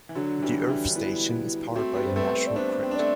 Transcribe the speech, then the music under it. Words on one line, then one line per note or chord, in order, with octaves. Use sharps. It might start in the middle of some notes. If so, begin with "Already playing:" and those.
The earth station is powered by the National Grid.
E3
D3 F#3 D4
E3 G3
E3 G3
G3 B3 E4
E4
A3 C4 F#4
G3 B3
C5
A3 C4 B4
A3 C4
D5
B3 D4 C5
C4
D4
A3 C4 D5